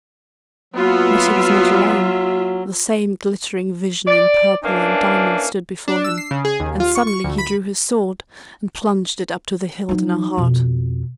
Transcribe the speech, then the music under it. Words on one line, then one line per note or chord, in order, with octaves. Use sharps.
But he was not alone; the same glittering vision in purple and diamonds stood before him, and suddenly he drew his sword and plunged it up to the hilt in her heart!
F#3 A#3 B3 F4 F#4 E5
D5
E3 A#3 C#4 D4
D4
E6
C7
C#3
G#4
D#2
F4
C#6
C#6
D2
B5
F#3 D#4
F2 B2